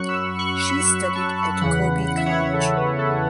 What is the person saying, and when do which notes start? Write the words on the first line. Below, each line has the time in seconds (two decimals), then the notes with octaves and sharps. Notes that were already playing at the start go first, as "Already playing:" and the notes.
She studied at Kobe College.
Already playing: F#2 F#3 C#6 F#6
0.08 B5 E6
0.39 C#6 F#6
0.60 C#6
0.69 B5 E6
1.15 A5 C#6
1.61 E2 C#3 E3 F#5 B5
2.08 F#5
2.17 E5
2.26 C#5 F#5
2.53 A4
2.76 B4
2.99 A4